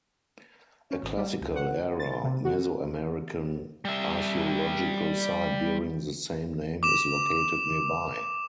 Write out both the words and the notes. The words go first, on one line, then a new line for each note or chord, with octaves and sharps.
A classical era Mesoamerican archeological site bearing the same name is located nearby.
C#4
G#1
G3
C#2
F#5
A6
C3
F#4
G3 E5
D6 E7